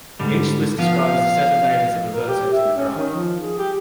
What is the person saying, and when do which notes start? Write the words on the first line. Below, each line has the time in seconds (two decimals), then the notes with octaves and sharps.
Each list describes the set of neighbors of a vertex in the graph.
0.20 G#2 D3 G3
0.78 F3 B3 F5
2.14 A#4
2.28 G4
2.53 E5
2.76 C#4
2.95 D#3
3.15 F3
3.41 G#4
3.59 G4